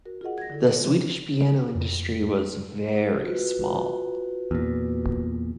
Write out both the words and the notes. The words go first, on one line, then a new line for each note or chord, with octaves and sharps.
The Swedish piano industry was very small.
F#4 A#4
F4 G#4 A#4 D#5 F#5
G#6 A#6
D3 E4 A4
F4 C#5
D3 E3 F3 C4
F2
F4 F#4 B4
E2 A#2